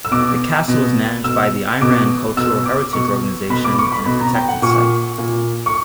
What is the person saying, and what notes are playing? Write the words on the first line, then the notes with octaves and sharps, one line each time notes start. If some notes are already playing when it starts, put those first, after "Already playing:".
The castle is managed by the Iran Cultural Heritage Organisation and a protected site.
E6
B2 D6
B2
B2 E6
B2 D6
B2 E6
D6
B2 C#6
B2 B5
D6
C#6
B5
B2 B5
A#5
G5
F#5
A#2 C#6
A#2
C#6